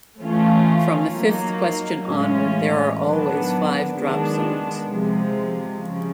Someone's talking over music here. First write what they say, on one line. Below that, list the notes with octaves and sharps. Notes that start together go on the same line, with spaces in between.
From the fifth question onward, there are always five drop zones.
E3 A3 C#4 F4
F#3 A#3 D#4
A2 E3 G#3 C#4 F4
D#3 F#3 B3 D4
D#3 G#3 B3 D4
C3 F3 G#3
C#3 F3